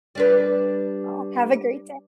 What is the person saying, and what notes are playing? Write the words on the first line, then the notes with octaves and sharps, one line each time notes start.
Aw, have a great day.
G3 D4 B4